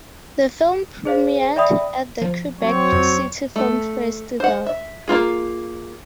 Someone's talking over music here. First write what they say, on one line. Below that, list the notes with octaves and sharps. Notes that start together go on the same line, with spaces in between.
The film premiered at the Quebec City Film Festival.
G#4 C5 F5
D5 E5 G5 B5 D#6
F3
F#3 C4 C#5
F2
A3
C5 F#5
E5
A#3 B3 F4 G#4